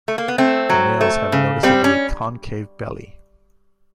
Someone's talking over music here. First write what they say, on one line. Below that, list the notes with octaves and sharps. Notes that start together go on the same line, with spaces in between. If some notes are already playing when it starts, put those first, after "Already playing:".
The males have a noticeably concave belly.
A3
A#3
B3
A3 C4
F#3
A3
C#3
G3 C4
C#4